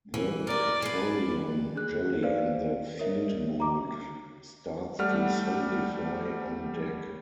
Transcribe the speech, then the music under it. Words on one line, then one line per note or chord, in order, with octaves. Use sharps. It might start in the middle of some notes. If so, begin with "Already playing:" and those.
The petroleum jelly in the field-mould starts to solidify on deck.
E3
A#4 D5 D#5
G#4 B4
D4 G#4 F#6
D#4 B4 C5 D5 F5
A#4 C#5 D#5 E5
A#5 D6
G3 A3 F#5 F6